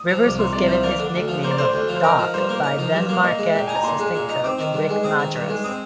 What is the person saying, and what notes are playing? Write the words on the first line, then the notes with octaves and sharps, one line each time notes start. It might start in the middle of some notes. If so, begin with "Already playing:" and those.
Rivers was given his nickname of "Doc" by then-Marquette assistant coach Rick Majerus.
Already playing: D#6
F3
C2 D6
A#2 C6
C2 D5
F3 C5
A#3 D5
D3
D2
F3
A#3 C5
D5
D3 C5
D2
F3
C5
D#4 A#4
F3
G2 C5
A#3
D#4
F3
G2
A#3
A#2 D#5
G#3
A#2 G5
D#4 G#5
A#5
A#2 C6
G#3
A#2
D#4
C4 D6
D#3
G2
G#3
C4 D#6
D#3
G2
G#3
C4 D#6